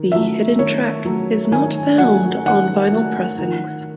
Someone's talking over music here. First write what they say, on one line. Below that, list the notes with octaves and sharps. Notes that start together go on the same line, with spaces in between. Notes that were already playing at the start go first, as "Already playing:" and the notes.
The hidden track is not found on vinyl pressings.
Already playing: D#3
F#3 A3 E5
D#3 C#5
F#3 A3
D#3 G#5
F#3 A3 F#5
D#3 F#5
F#3 A3
D#3